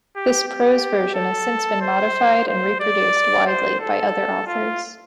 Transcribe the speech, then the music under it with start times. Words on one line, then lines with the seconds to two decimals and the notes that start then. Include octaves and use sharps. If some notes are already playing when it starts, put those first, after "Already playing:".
This prose version has since been modified and reproduced widely by other authors.
0.16 G4
0.48 G4
1.14 A4
1.81 C5
2.48 C5
2.80 D5
3.47 C5
3.80 A4
4.47 F4